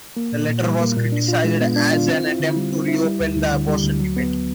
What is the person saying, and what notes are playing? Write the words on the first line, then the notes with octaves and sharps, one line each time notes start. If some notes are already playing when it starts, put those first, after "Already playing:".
The letter was criticized as an attempt to reopen the abortion debate.
A#3
A#2
A#2
G3
A#3
A#2
D4
F4
G#3
B3
D4
F4
C4
E4
D3
G3
C4
E4
G3
D2
D2
D3
G3
D2
F#3
B3